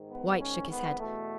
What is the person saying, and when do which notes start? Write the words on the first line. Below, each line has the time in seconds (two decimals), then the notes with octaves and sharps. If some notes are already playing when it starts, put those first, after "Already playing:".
White shook his head.
Already playing: G#2 D#3
0.09 B3
0.39 C#4
0.69 B3
0.98 E2 B2 A3